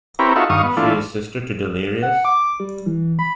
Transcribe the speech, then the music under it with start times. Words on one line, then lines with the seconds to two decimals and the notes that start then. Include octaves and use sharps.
She is sister to Delirious?
0.19 C4 E4 G4 A#4 B4 C#5
0.36 D#4 F4 F#4 A4 C#5 E5
0.50 G2 D#3 F5 C#6 D#6
0.63 B3
0.77 E3 A3 D4 F4
2.02 F#5
2.25 D6
2.60 G3
2.86 E3
3.19 B5